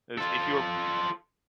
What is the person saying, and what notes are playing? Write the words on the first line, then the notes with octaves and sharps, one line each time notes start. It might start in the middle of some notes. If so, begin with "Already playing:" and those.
As if you're
F4 A4